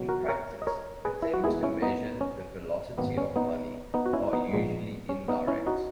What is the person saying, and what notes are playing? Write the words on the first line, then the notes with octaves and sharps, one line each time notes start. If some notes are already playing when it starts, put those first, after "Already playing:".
In practice, attempts to measure the velocity of money are usually indirect.
Already playing: C#2 B2 F#3
F#4 A#4
A#4 C#5
D#5
A#4 C#5
G#4 B4
E4
F#4
D#2 D#3 G#3 B3 E4 G#4
C#4 E4
B3 D#4
C#4
G#1 F#2 D#3 A#3 B3
C#4
B3 D#4
B3 D#4
F#4
C#4 E4
B3 D#4
A#1 A#2 G#3 B3
C#4
B3 D#4
C#4 E4
D#4 F#4